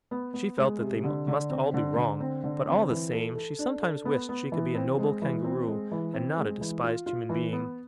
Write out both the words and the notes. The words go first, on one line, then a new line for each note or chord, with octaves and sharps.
She felt that they must all be wrong; but, all the same, she sometimes wished she could be a noble kangaroo, and not a despised human being.
B3
B3
G#3
C3
D3
D3
C4
D3
D3
C4
D3
C4
E3
A4
A4
D4
A4
B3
B3
E3
C4
G#3
E3
C4
G#3
E3
C4
G#3
E3
F4
F4
E3
B3